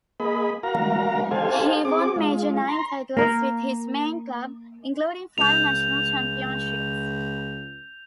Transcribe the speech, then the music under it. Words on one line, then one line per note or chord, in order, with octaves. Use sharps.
He won major nine titles with his main club, including five national championships.
A#3 G#4 D#5 B5
F#4 A#4 F5 A#5
G4 A4 C5 F5 G#5
C4 G#4 D6
G#3 F4
A#5 C6
A#3 A#4
C#2 G6 F7